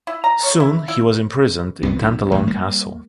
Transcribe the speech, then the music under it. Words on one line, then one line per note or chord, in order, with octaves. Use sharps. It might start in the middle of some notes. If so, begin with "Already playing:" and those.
Soon he was imprisoned in Tantallon Castle.
E4
A#5
C#5
E4
E4
C2 B3
B1 F2
A1 E2
G3 A#3